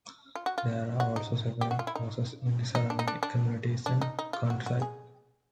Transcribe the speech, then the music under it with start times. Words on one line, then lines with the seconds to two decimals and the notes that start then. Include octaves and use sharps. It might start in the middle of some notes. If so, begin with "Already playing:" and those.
There are also several courses in the surrounding communities and countryside.
0.35 F4
0.46 F#4
0.58 F4
1.00 F#4
1.16 D#4
1.61 G4
1.71 F#4
1.79 F4
1.87 E4
1.96 D#4
2.75 D#4
2.90 D4
2.99 D#4
3.08 D4
3.23 D4
3.86 D4
4.01 D#4
4.19 D#4
4.33 F4
4.50 F#4
4.66 F#4
4.82 G#4